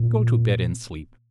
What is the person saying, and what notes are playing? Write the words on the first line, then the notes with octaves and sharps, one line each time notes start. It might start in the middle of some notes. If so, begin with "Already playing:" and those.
Go to bed and sleep!
Already playing: A#2